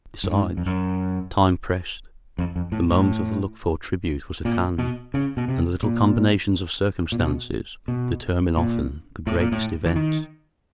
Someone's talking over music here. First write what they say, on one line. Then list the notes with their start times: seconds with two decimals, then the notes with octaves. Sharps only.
Besides, time pressed; the moment of the looked-for tribute was at hand, and little combinations of circumstances determine often the greatest events.
0.24 G2
0.31 G#2
0.57 F2
0.66 F#2
2.38 F2
2.56 F2
2.72 A2
2.90 A2
4.45 A#2
4.78 B2
5.14 C#3
5.37 B2
5.48 C3
5.83 A#2
7.12 A#2
7.19 B2
7.88 B2
8.57 A#2
9.27 A2
9.40 A#2
9.52 A2
9.86 E3
9.96 D#3